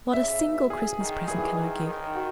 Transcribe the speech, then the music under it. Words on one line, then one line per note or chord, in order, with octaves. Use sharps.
Not a single Christmas present can I give.
C#3 E5
B2
G#4
D#3
E3 G#4
G#4
D#3
D#3
F#4